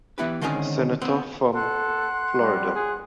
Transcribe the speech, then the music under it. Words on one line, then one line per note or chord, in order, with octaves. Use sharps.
Senator from Florida.
E3 B3 E4 G4 B4
D3 D#3 G#3 C4 C#4 G#4
B3 C4
A4 F#5 C6 F#6
G3
G#4